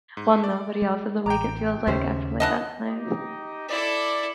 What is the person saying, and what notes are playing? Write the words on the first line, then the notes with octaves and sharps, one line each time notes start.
while nobody else is awake, it feels like, I feel like that's nice.
G#2
D5
G#3
A1 G5 A#5 D6
D#2 C#3 C#4 G4 C5 E5
E3 D4 A4 B4 D#5 F#5
D#4 G4 D#5
E4 A4 D5